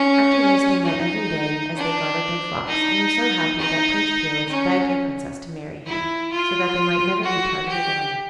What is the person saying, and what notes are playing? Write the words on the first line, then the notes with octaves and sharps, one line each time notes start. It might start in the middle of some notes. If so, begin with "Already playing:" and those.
After this they met every day as they guarded their flocks, and were so happy that Prince Peerless begged the Princess to marry him, so that they might never be parted again.
Already playing: C#4
D#4
D4
D#4
D#4
C#4
E4
F4
F#4
G4